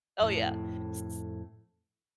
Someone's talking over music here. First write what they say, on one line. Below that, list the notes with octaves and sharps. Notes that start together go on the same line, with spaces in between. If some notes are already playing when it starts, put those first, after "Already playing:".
Oh yeah, s s
F2 A2